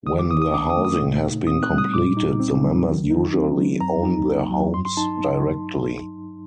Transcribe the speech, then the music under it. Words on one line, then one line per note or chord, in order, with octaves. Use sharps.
When the housing has been completed the members usually own their homes directly.
D#3 D#6
D6
D#3 D#6
D#6
D4 D6
D#6
A3
D#6
A#2
D#4
C4 D#6
F#6
G3
D#6
A#2 D6
D#4
C4
F#3
D#3
D#4
C4
F#3
F#2 A#5
D#4
A#3
F#3
G2 C6
C6
D#4 A5